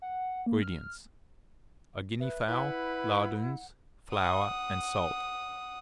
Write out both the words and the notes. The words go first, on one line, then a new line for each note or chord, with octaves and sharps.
INGREDIENTS.--A Guinea-fowl, lardoons, flour, and salt.
F#5
A#3
F6
B4 E5
E4 B4 F#5
F#5 D#6